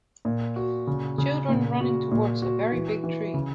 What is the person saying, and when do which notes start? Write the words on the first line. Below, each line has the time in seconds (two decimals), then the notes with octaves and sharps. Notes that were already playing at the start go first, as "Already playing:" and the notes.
Children running towards a very big tree.
0.25 A#2
0.56 F#4
0.87 C#3
1.18 C#3
1.48 A#2
1.80 F#4
2.11 A#2
2.42 F#4
2.72 E3
3.04 E3
3.34 C#3